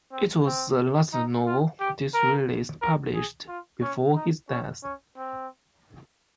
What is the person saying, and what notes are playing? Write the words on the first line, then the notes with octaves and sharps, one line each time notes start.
It was the last novel Disraeli published before his death.
C4
C4
D#4
F4
G4
A#4
A#4
G#4
F4
C#4
D#4
C#4
C#4
C4